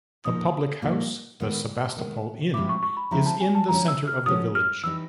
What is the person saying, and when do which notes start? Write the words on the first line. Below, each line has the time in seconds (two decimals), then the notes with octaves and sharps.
The public house, The Sebastopol Inn, is in the centre of the village.
0.25 A#2 F3 A#3 D#4 D#6
0.82 A#2 F3 A#3 D#4
1.40 D#3 G#3 B3
1.97 D#3 G#3 B3
2.54 C3 F3 G#3 C4 E4 D6
2.69 C#6
2.83 C#6
2.97 B5
3.11 C3 F3 G#3 C4 E4 A#5
3.26 A5
3.41 G#5
3.55 A5
3.68 D3 F3 G#3 C#4 A#5
3.88 E6
4.07 F6
4.26 D3 F3 G#3 C#4 D#6
4.55 F6
4.84 E3 G3 B3 D#4 E6